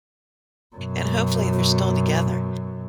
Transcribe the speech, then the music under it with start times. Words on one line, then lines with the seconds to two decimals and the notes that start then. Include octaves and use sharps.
and, hopefully, they're still together,
0.76 F#2 B2